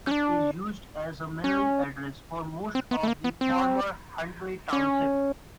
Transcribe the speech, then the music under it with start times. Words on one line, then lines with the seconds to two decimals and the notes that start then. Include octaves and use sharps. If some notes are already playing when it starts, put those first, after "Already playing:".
Carp is used as a mailing address for most of the former Huntley Township.
0.07 C#4
0.11 D4
1.44 C#4
2.75 C4
2.91 B3
3.03 A3
3.08 A#3
3.24 B3
3.41 C4
4.73 C#4